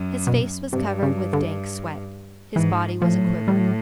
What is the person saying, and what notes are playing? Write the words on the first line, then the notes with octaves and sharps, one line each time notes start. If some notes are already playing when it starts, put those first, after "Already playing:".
His face was covered with dank sweat, his body was aquiver.
Already playing: F#2
B2
G2 C3
C#3
D3
G#2 E3
A2 F3
F#3
F3
G3
F#3